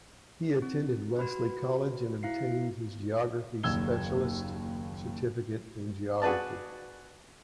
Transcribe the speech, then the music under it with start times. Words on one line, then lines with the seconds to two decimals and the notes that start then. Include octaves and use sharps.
He attended Wesley College and obtained his Geography Specialist Certificate in Geography.
0.62 C4
1.19 F#4 B4 B5
2.23 E4 F5 C7
3.63 F#1 D#2 E6 G#6 G7
6.22 F#4 G#4 B4 D5 A5